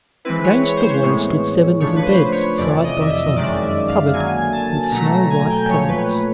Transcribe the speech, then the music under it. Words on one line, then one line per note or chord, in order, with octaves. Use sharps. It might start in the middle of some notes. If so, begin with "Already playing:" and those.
Against the wall stood seven little beds side by side, covered with snow-white coverlets.
E3 G#3 C4 E4 B4
C#5
C#5
C5
C#5
A2 E3 G#3 B3
C#3 F3 A3 D4 C#5
B4
C5
C#5
F2 C3 E3 D5
D#5
E5
D#5
D#5
F#2 D#3 G#3 C#4 D5
E5
F5
D3 F#3 A#3 G#5
A5
B2 F#3 A3 A#5
G#5
G5
A#2 F3 A3 C#5
B4